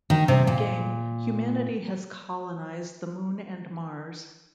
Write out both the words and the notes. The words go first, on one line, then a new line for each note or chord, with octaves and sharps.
In the game, humanity has colonized the Moon and Mars.
D#3
C3
A#2